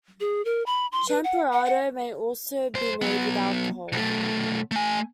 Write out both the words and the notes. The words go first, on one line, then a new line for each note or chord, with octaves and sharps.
Champurrado may also be made with alcohol.
G#4
A#4
B5
C6
B4
F#5
F#5
F#5
F#2 C5
F#3 B3
B1 A3
A3 G#5